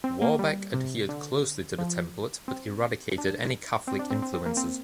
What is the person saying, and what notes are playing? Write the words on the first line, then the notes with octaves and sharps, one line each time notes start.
Warbeck adhered closely to the template, but eradicated any Catholic influences.
C4
A#3
G3
C3
D3
F3
C4
D4
C4
D4
C4
C4
C4
A#3
C4